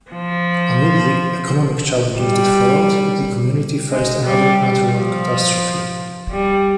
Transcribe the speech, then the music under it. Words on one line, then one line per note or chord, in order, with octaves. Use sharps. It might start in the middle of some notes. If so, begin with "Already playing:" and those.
Amid the economic challenges that followed, the community faced another natural catastrophe.
F3
G3
G#3
G3
F3
G3